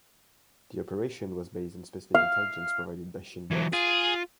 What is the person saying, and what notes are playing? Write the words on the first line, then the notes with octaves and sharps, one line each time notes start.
The operation was based on specific intelligence provided by Shin Bet.
F5
E3 F#3
F4 G#4